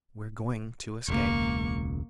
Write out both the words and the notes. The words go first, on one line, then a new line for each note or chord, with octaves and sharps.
"We're going to escape!"
E1 C#2 A#3 C#6